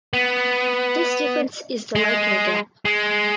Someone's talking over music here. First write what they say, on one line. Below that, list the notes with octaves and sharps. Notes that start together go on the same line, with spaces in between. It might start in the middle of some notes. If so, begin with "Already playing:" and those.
This difference is the liking gap.
B3
G#3
G#3